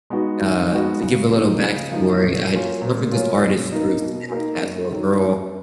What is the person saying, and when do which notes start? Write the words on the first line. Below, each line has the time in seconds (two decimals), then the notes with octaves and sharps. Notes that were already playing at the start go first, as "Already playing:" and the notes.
uh, to give a little backstory, I had discovered this artist through Snapchat. So a girl,
0.10 G#3 B3 D#4 F#4
0.41 D#3
0.71 G#3 B3 D#4 F#4
1.01 C#3
1.31 F3 A#3 D#4
1.61 C#3
1.91 F3 A#3 D#4
2.21 A#2
2.52 F#3 A#3 C#4 F4
2.82 A#2
3.12 F#3 A#3 C#4 F4
3.42 B2
3.72 A#3 D#4
4.02 B2
4.32 A#3 D#4
4.63 F#2
4.92 D#3 F#3
5.23 F#2